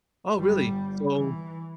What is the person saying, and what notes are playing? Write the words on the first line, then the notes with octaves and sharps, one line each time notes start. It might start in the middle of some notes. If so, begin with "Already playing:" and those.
Oh, really? So
G1 G3
E3